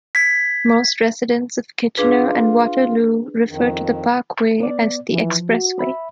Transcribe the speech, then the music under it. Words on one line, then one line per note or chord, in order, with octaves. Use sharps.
Most residents of Kitchener and Waterloo refer to the parkway as "The Expressway".
G#6 B6
D4 F4 G#4 B4
F2 D#3
B3 D5
E3 F3
F#4
E5 B5